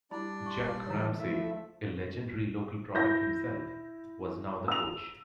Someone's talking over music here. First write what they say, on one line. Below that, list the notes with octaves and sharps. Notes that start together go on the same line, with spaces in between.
Jack Ramsay, a legendary local product himself, was now the coach.
G3 D4 E4 D5 B5
C6 C#6
D3 E3 C#5 A#5
F3 A3 E4 A4 E5
E4 G6 A#6
E6 F7